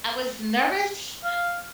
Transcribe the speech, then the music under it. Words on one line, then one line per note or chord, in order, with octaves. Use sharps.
I was nervous
F5